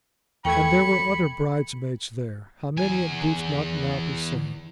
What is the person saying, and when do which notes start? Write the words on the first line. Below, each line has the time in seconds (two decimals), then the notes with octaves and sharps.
And there were other bridesmaids there; how many it boots not now to say.
0.45 E2 A3 G5 B5 C#6 G#6 C#7
2.78 E2 G#5